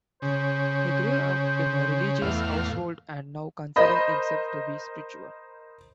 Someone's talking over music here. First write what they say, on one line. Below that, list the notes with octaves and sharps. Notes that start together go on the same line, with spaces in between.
He grew up in a religious household and now considers himself to be spiritual.
C#3 C5
E2 A2 F5
A#4 C5 D#5 B5